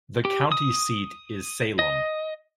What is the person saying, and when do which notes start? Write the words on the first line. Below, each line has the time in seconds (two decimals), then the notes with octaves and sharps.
The county seat is Salem.
0.25 G4
0.52 D#6
1.79 D#5